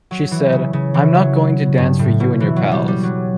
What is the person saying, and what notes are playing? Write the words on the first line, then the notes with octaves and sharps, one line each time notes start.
She said: 'I'm not going to dance for you and your pals.
F#3
E3
C#3
C#3
E3
F#3
G2
A2
B2
E3
F#3
G3
G3
F#3